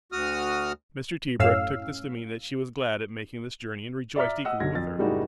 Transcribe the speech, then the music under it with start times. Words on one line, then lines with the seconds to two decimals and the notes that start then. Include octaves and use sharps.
Mr. Tebrick took this to mean that she was glad at making this journey and rejoiced equally with her.
0.12 D2 F#4 D#6 F6
1.39 F#2 A2 C#4 F5 E6
4.16 D5 E5 A#5 F6 B6
4.45 D#5 F#5 E6
4.60 B1 D3 G#6 A#6
4.75 F2 A6
4.98 F#1 A2 G3 G#3 D#4 F#4